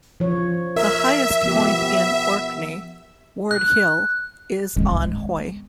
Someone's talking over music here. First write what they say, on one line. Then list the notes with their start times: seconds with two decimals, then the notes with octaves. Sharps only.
The highest point in Orkney, Ward Hill, is on Hoy.
0.20 F3 C#5
0.76 A#4 E5
1.43 F3 B3 G4
3.51 F#6
4.77 G#3 B3